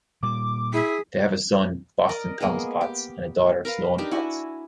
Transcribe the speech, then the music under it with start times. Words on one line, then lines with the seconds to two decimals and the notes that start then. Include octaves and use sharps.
They have a son, Boston Thomas Potts and a daughter, Sloane Potts.
0.23 A#2 G3 A#3 D6
0.73 E4 G#4 B6
2.09 A#4 D5 D#5
2.40 G#3 A#3 B3 G#4
2.81 G4
3.65 A#4 B4 F5
3.98 D4 D#4 G4
4.11 E4 F#4 F#5 G#5